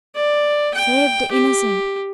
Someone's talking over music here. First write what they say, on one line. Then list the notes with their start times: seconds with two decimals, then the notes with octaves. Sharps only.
Save the innocent!
0.15 D5
0.75 G5
1.32 G4